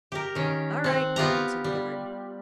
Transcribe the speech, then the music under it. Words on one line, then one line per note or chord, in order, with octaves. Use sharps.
"All right," answered the guard.
G4 A#4
D#3 C#4
C4 F#5
B3 F4 G4 A#5
G3